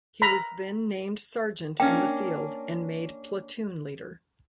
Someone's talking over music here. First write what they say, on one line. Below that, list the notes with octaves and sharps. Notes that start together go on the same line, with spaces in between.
He was then named sergeant in the field and made platoon leader.
A#5 B5
A#3 C#4 D4 G5